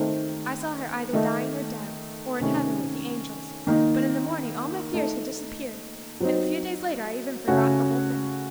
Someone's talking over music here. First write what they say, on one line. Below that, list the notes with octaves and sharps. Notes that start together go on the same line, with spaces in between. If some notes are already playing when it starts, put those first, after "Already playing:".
I saw her either dying or dead, or in heaven with the angels; but in the morning all my fears had disappeared and a few days later I even forgot the whole thing.
Already playing: D#3 A3 C4 D#4
D#3 A3 D#4
C3 D#3 A3 C#4
D#3 A#3 D#4
A3 D#4 A4
F#3 C4 D#4
C#3 A3 C#4 F#4